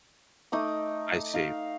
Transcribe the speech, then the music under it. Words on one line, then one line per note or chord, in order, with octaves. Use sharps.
I see.
A3 D#4 D6 D#6
D#4 F5